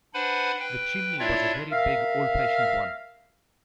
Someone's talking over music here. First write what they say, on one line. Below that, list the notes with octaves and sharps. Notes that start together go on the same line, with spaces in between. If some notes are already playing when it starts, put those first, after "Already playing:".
The chimney was a very big old-fashioned one.
D4 B4 C5 F#5 G#5 B5
B4 G5
D4 E4 F4 C#5 D5 E5
A#4 E5 F5